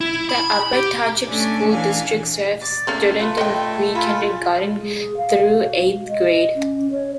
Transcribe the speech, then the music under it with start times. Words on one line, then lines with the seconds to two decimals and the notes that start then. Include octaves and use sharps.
The Upper Township School District serves students in pre-kindergarten through eighth grade.
0.01 E4
0.29 B5
0.73 G4
1.26 A3 C#4 D4 G#5 D6
1.68 E3 D4 F5 G#5
2.61 D5
2.87 A3 A#3 C#4 F5
3.19 A3 F4 B4
3.38 A3 D#5 G5
3.95 F4 A4 G#5 B5
4.63 G#3
4.80 G#4
4.94 G#4
5.17 F5
5.60 F#4
5.90 G#3
6.07 D#5
6.55 C#4
6.90 C#5